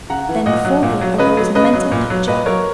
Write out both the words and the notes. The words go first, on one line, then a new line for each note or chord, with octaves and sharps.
Then before her arose a mental picture.
C#3 F#5 A#5
E3
A#2 D#5 F#5
F#3
A#2
F#3
C#3 B4 D#5
F#3
C#3 B4 D#5
F#3
A#2
F#3
A#2 B4 D#5
F#3 A#4 C#5